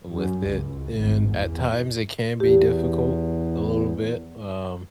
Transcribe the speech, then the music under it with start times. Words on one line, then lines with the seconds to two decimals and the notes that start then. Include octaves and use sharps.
with it. And at times, it can be difficult a little bit, um,
0.11 F#2
0.51 C#2
0.98 G#1
1.31 E2
2.40 E2 G4